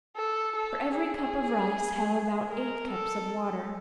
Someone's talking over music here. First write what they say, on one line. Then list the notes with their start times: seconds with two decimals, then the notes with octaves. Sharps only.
For every cup of rice have about eight cups of water.
0.16 A4
0.55 A4
0.95 G#4
2.51 A#4
2.90 A4